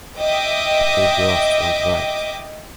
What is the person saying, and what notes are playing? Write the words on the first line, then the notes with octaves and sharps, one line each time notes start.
It grossed worldwide.
D#5 E5 G5 D6 D#6